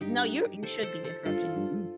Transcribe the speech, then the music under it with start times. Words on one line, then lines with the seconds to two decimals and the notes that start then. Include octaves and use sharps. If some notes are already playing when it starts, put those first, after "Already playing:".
No, you're you should be interrupting me, mm.
0.01 G2 D#4 G4
0.63 A4 C5
0.83 A4 C5
1.04 A4 C5
1.25 G2 F4 A4
1.56 G2